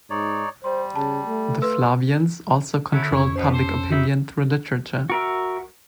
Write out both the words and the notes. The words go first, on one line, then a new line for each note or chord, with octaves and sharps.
The Flavians also controlled public opinion through literature.
G#2 D#4 C#5 D5
G3 C5 C6
C#3 A5
A3
F4 B4 E6
D3 F#3 A3 E4
F2 C#4 E4 C#5
B2 C5
A4 C5 D6
E6
D#4 E4 F#4 E5
F#4 A#4 E5